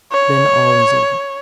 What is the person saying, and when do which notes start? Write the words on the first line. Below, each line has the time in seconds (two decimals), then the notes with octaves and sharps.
Then all is over.
0.12 C#5